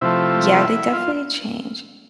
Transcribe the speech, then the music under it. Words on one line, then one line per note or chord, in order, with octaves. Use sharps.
Yeah, they definitely change.
C3 F3 A3 E4
F4